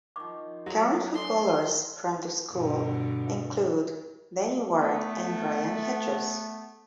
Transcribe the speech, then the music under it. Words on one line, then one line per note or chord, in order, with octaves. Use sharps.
Current footballers from the school include, Danny Ward and Ryan Hedges.
D#3 F3 C#6 D6
F#3 F#4 A4
G#3 D4 A4 C6
G2 B2 D3
A3 B3